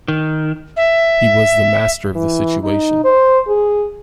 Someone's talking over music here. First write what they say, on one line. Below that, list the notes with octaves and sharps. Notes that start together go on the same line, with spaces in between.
He was the master of the situation.
D#3
E5
E3
D#4
C5
G#4